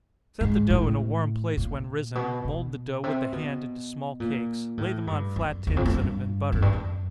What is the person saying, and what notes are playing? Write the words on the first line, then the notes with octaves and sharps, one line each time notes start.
Set the dough in a warm place when risen, mould the dough with the hand into small cakes, lay them on flat tins that have been buttered.
G#2
A2
A#2
B2
B2
C3
B2
A#2
A2
G2
F#2
E2
F2
F#2
G2
F#2
G2
F#2